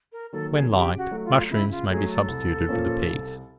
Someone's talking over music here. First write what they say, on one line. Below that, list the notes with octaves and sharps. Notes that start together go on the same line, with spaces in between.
When liked, mushrooms may be substituted for the peas.
A#4
D#3 F#3 A#3 A4
G#4
C#3 G4
F#4
F#3 A3
F4
C#3 E4
F4
F#3 A3 G#4
A4
C2
A#2 F3 A#3 C#4
C2